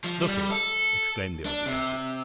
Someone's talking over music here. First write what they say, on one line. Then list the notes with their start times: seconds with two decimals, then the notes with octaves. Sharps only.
"Look here!" exclaimed the old detective.
0.04 F3
0.21 G3
0.51 A4
1.45 D4
1.67 C3